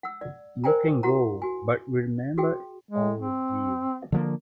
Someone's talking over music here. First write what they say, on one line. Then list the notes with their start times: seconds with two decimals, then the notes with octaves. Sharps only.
You can go, but remember our deal.
0.03 F#5 E6
0.21 D5
0.64 A#4 C5 D5 G5 G#5 A#5
1.03 E4 F#4 F#5 A#5
1.42 F#4 G#5
2.38 F#4 G#4 G5
2.90 G#3
3.17 C4
4.12 D3 F3 A#3